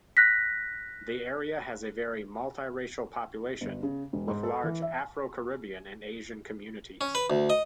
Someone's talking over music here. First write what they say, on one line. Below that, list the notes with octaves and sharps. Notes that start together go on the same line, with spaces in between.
The area has a very multi-racial population, with large Afro-Caribbean and Asian communities.
F#6 A#6 B6
G1
C#3
E1
G#2
A4
E3
E5
C#4
B4
D2
D#5